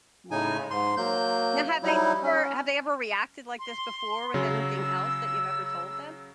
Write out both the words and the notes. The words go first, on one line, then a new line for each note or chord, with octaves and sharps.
Wow. Now have they ever have they ever reacted like this before with anything else that you've ever told them?
A2 C#3 D#4 G#5
G#2 C6
F#3 A#3 G6
F#3 G3 D#4 E4
C#4
C6
C#3 F#3 E6